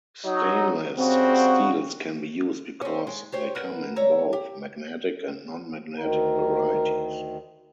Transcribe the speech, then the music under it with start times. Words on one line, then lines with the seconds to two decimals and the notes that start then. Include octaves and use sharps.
Stainless steels can be used because they come in both magnetic and non-magnetic varieties.
0.24 F#3 D#4
0.98 C#3 G3 C4 F#4
2.81 C4 C#4
3.07 G#3
3.32 G4 C5 C#5 G5
3.55 A#4 B4 F#5
3.96 C#5 E5 A#5
4.33 G4
5.99 D2 D#3 A#4